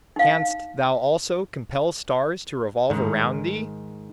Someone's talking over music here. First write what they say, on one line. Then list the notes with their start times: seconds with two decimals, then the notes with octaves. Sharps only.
Canst thou also compel stars to revolve around thee?
0.16 D#4 F5
2.90 G#2 D#3